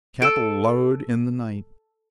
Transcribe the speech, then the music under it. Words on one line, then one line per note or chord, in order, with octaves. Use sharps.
Cattle lowed in the night.
A4 E6 D7